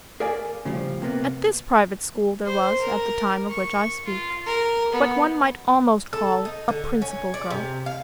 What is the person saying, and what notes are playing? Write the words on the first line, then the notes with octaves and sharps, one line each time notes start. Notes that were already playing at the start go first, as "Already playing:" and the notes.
At this private school, there was, at the time of which I speak, what one might almost call a "principal girl."
G#4 A#4 D5 F5 G#5
A2 C#3 F3 G3
C3 A#3 B3
C5
A#4
C#6
F4
A#4
B3
A4
D#4
D3
C#4
D5
C3
F5